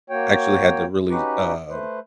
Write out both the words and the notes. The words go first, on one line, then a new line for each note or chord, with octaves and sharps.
I actually had to really, um,
A#3 F#4 C#5 G5
C#4 D#4 F#4 G4 B4
A3 B4 C5